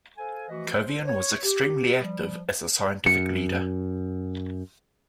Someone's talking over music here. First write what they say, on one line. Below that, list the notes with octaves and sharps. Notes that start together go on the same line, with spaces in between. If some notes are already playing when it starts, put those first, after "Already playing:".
Covian was extremely active as a scientific leader.
A4 C5 F5 G#5
E3 F3 A3 F#4 B4 D#5
C5
C#5
G4
F3 G3
F#2 C#7